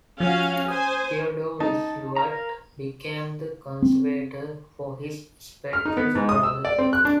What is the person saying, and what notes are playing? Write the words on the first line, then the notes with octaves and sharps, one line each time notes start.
Theodore Roosevelt became the conservator for his spendthrift brother.
F3 C#4 F#4 F5
C5 G#5 D#6
D#4 A5
A#4 F5 A#5
C4
F6
D#4
B3
G#2
D#6
E6
D5
C4
F#6
D4